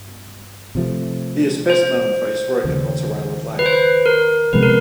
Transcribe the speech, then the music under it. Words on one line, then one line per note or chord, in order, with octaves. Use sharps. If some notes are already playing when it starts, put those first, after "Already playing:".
He is best known for his work in ultra-violet light.
Already playing: G2
C3 F3 A3
C5
D#2 C#3 F3
B4
C5
B4
A#4
C3 F3 G#3 B3 B4
A#4